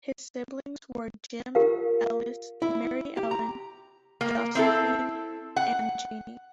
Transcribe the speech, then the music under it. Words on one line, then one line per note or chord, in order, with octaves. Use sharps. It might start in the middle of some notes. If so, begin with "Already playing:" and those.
His siblings were Jim, Ellis, Mary Ellen, Josephine and Janie.
F4 G4 A#4 F5
E4
G4
A#5
A#3
C4 E4 A4
F#5